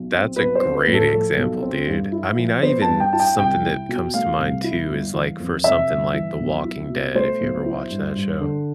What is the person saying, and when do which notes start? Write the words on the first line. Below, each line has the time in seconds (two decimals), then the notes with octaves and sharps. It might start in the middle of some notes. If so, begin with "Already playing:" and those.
That's a great example, dude, I mean, I even something that comes to mind too is, like, for something like The Walking Dead, if you ever watch that show
Already playing: B1
0.12 C4
0.36 B1 B4
0.55 C5
0.62 C4
0.75 B4
0.87 A2
0.94 A4
1.12 F3 A4
1.37 B1
1.62 C4
1.87 G2
2.12 E4
2.38 F3
2.62 B3 C5
2.82 A5
2.88 G2
3.00 G5
3.13 E4 A5
3.20 G5
3.38 C2 G5
3.63 E4
3.89 B2
4.14 A3 F5
4.39 C2
4.64 E4
4.89 G1
5.13 E3
5.40 F2
5.64 C3 E5
5.89 G1
6.14 E3
6.40 B1
6.65 E4
6.90 B2
7.15 A3 C5
7.40 B1
7.66 E4
7.90 G2
8.15 G2
8.41 D3